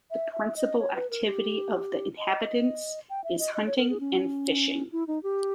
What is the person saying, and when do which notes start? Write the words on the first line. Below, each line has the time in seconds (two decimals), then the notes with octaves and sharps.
The principal activity of the inhabitants is hunting and fishing.
0.11 E5
0.33 E5
0.56 D#5
0.79 C#5
0.95 B4
1.10 A#4
1.26 G4
2.17 D#5
3.10 G5
3.24 E5
3.39 D#5
3.54 D#5
3.67 C#5
3.77 A#4
3.90 G#4
4.00 C#4
4.92 E4
5.07 D#4
5.23 G4